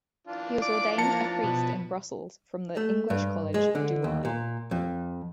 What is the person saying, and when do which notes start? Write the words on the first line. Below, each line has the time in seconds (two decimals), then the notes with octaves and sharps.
He was ordained a priest in Brussels from the English College, Douai.
0.27 E3 D4 F4
0.62 D5 D6
0.98 F3 A#3 A5 C#7
1.44 B2
2.77 A3
3.10 G2
3.54 G#3
3.75 D3
4.04 D#2
4.25 A#2
4.71 F2